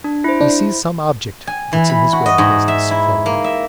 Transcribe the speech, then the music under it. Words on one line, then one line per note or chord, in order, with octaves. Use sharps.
He sees some object that's in his way of business, floating.
D4
E4 C5
D4
G#5
E3
B5
F#4
D#5
G#2
E5
E4
A#3
E5